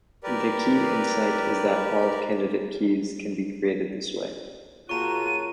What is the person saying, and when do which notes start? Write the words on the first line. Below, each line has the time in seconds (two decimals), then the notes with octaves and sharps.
The key insight is that all candidate keys can be created this way.
0.23 G4 A#4 B4 D5
4.89 C#3 A#3 F4 F#4 A5 A#5 C#6 D#7